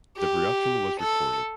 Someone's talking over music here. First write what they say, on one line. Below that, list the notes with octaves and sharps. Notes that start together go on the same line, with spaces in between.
The production was recorded.
G4
A4